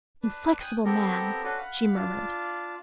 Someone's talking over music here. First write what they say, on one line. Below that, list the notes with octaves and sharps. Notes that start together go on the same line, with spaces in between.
"Inflexible man!" she murmured.
D4 B4
G5 G#5 D#6 F#6
B3 C4 G4 A4 A#4
C#4 D4 F#4 A4 B4
F5 F#5 B5
D4 F4